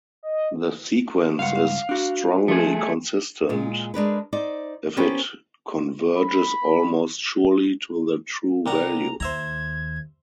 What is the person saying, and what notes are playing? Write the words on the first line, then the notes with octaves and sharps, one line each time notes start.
The sequence is "strongly consistent", if it converges almost surely to the true value.
D#5
C#2 G2 F5 F#5
D4 F#4
F3 A3 G#4
A#2 G#3
G#3 D4 A#4 B4
D#4 C5 D5
B3 C#4 G4 A#4 C5
B5
C2 G3 F#5 A#5
D#2 C5 E5 A#5 G#6